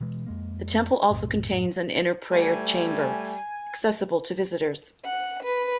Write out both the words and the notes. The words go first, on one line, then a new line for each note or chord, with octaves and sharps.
The temple also contains an inner prayer chamber, accessible to visitors.
B2 E3 G#3
F2 G#3 A#3
B1 F#2 A2 C3
F#2 A2 F#3
G3 A3 G#5
F#5
B4